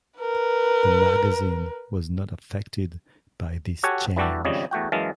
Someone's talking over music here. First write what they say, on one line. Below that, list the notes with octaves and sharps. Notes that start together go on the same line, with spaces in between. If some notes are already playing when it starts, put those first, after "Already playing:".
The magazine was not affected by this change.
A#4 B4
F#4 G4 A4 C#5 F#5 G#5
E3 G3 D4 F#4 G4 A4
G#1 F2 C#3 G3 C#5 D#5
E2 A3 F#4 G5
F#2 E3 G#3 F5 A5